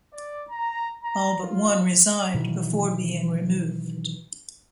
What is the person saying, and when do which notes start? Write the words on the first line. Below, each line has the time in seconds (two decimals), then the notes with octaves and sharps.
All but one resigned before being removed.
0.13 D5
0.49 A#5
1.03 A#5
1.42 F4
2.34 B2 D#3 E3 F#3